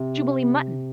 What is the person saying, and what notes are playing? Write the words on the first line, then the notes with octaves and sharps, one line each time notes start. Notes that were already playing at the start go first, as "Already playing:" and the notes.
Jubilee mutton.
Already playing: C3